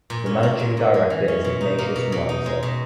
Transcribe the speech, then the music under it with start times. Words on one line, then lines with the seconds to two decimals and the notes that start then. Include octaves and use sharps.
The managing director is Ignatius Mwanza.
0.10 A#2
0.26 C#4
0.43 A#3
0.59 A#2
0.77 G#2
0.94 G#3
1.10 E3
1.28 C#4
1.44 B2
1.61 D#4
1.78 A#3
1.96 B2
2.12 B2
2.29 D#4
2.46 G#3
2.63 B2